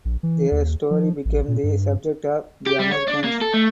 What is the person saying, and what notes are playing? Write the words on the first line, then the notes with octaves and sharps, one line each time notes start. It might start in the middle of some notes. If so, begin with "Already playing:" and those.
Their story became the subject of "The Americans".
A#1
E3
D#2
F3
A1
A#2
G2
G4
G3
C#5
D4
A#3
A4
A3